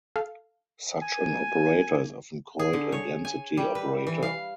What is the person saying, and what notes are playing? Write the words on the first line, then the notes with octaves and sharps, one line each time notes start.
Such an operator is often called a "density operator".
A4 F5
G#5
G#4
D3
C#5
G#5
G3
B4
E3
F5